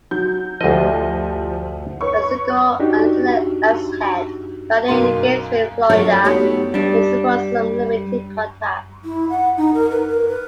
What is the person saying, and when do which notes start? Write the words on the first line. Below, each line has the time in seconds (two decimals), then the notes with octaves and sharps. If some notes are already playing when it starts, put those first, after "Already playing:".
A single 'Antillean axe head' found near Gainesville, Florida may support some limited contacts.
0.11 F#3 G6
0.61 D2 F3 G3 A3 D#5
2.01 B4 C#5 C#6
2.80 D4 D#4 F#4 G4
4.88 B1 F#2 A#3 C6
5.90 F#3 D4 F4 A4 A#4 C#5
6.25 A3 B3 D#4 F#4 G4 C#5
6.74 G3 D4
9.05 E4
9.29 F#5
9.57 D#4
9.74 A#4
9.90 B4
10.09 A#4
10.28 B4